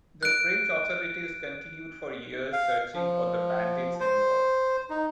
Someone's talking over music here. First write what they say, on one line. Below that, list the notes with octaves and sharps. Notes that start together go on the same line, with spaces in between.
The French authorities continued for years searching for the bandits involved.
F#6 D7
F5
F3
C5
D#4